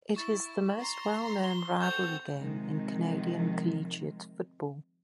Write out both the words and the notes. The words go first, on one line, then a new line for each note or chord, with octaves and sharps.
It is the most well known rivalry game in Canadian collegiate football.
E4 C#6 A6
A#5 C6
G7
C4 F#4 A4 C#6 G6 F7
C3 D#3 F3 G#3